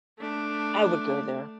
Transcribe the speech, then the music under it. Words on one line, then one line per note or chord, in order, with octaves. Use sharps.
I would go there.
A3 D4